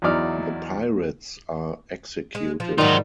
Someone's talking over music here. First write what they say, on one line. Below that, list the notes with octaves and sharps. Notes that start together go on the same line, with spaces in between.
The pirates are executed.
E2 F#3 D#4 E4 D5 F6
G#3
F3
G#2 D#3 F#3 G3 F4